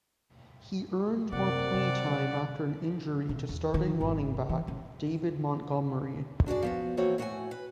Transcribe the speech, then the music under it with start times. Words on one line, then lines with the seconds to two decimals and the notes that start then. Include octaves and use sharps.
He earned more playtime after an injury to starting running back David Montgomery.
1.32 F#2 C3 C4 A#4 D5 F#5 D6
1.73 C3 G3
3.29 C3
3.49 E2
3.74 D#3
4.01 G#1
4.49 E3
4.68 C#3
6.46 D4 F#4 G#4 D5
6.62 F3 B3 F#4
6.97 E3 F3 A#3 C4 F#4 C#5
7.18 A2 F#4 F#5 G#5
7.51 B4